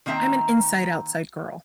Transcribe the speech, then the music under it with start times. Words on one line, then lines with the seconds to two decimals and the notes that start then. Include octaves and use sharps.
I'm an inside outside girl,
0.06 D#3 A#3 C4 E5 A#5